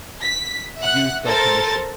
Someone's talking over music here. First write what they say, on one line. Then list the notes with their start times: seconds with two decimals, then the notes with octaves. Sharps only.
Used by permission.
0.23 B6
0.79 E5 F#5 F#6
1.26 A4 A#4 C5 A6